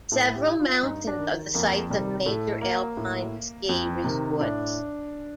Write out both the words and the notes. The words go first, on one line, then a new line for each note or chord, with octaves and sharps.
Several mountains are the sites of major alpine ski resorts.
A2 A4
G4
F4
G2 D#4
D4
D#3
F2 A#3
C3 D#3 G3
A2 A3
A#3
A2
F2
C3 D#3
A2 D4